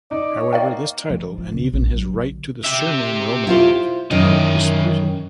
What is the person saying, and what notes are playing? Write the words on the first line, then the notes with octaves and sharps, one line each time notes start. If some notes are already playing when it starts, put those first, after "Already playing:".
However this title, and even his right to the surname Romanov are disputed.
D#4 D5
C#5
A#3 D5 F5 G5
F3
F4
C#2
A#1
F#3
D3
G4 E5
E4 F4 C5
F#2 D#3 E3 D#5